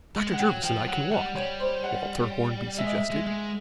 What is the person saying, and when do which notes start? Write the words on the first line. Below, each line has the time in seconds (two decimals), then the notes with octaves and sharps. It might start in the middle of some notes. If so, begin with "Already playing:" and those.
"Dr. Jervis and I can walk," Walter Hornby suggested.
0.17 G#3
0.33 F#5
0.40 F#3 G5
0.63 F3 G5
0.87 F#3 F#5
1.11 G3 F#5
1.35 G3 C#5
1.60 C5
1.84 F#5
2.78 G#3 E5
2.87 D#5
2.95 E5
3.10 G#3
3.27 G#3